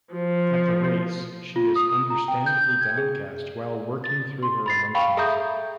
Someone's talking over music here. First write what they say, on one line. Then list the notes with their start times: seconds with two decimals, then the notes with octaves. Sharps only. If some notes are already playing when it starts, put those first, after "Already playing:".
At the race she is understandably downcast while working through her emotions.
0.13 F3
1.56 F4
1.76 D#6
1.90 D#6
2.10 A#5
2.28 G5
2.46 G6
2.81 G#6
2.97 G#4
4.04 A6
4.43 C6
4.66 B5 A6 C7
4.95 F5 G5 B5 C#6
5.17 G#4 A4 E5 A#5 D#6 G6